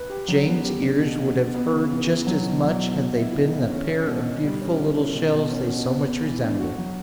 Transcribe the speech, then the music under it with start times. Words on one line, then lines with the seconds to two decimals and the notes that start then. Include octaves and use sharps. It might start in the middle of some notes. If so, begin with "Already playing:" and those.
But Jane's ears would have heard just as much had they been the pair of beautiful little shells they so much resembled.
Already playing: B4
0.10 G4
0.28 F#3
0.46 B3
0.64 G4
0.82 D4
1.01 B2
1.19 B2
1.36 B2
1.55 B3
1.73 C#3
1.90 E3
2.09 E3
2.27 F#3
2.45 B2
2.63 F#3
2.81 B2
2.99 B2
3.17 E4
3.34 B2
3.52 E4
3.72 C#4
3.89 C#4
4.07 B2
4.26 B2
4.44 G3
4.62 C#4
4.80 E4
4.97 C#4
5.15 B2
5.33 B2
5.51 C#4
5.69 B2
5.87 B3
6.05 B3
6.23 E3
6.42 D4
6.60 F#4
6.78 F#3